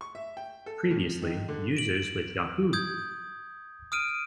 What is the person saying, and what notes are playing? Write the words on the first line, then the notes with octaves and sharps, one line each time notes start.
Previously, users with Yahoo!
C#6
E5
G5
A4
F2
D#3
D3
D7 F#7
D#6 G6 G#6
D#6 F6 D7 D#7